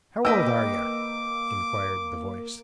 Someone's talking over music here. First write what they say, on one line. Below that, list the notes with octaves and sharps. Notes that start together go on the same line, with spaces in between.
'How old are yer?' inquired the voice.
A#3 B4 D#5 G5 D6 E6